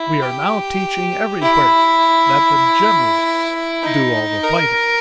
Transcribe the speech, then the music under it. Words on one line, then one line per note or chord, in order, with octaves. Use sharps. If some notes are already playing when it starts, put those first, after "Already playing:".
We are now teaching everywhere that the generals do all the fighting.
Already playing: E4
G4
E4
D#4
A#4